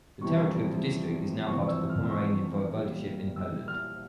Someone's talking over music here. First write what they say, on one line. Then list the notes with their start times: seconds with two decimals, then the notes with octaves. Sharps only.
The territory of the district is now part of the Pomeranian Voivodeship in Poland.
0.21 F2 C3 E3 G3 C#6
1.47 F2 C3 E3 G3 C#6
1.68 E6
1.90 F6
2.05 E6
2.10 C#6
2.73 A#2 G3
3.36 E6
3.68 F6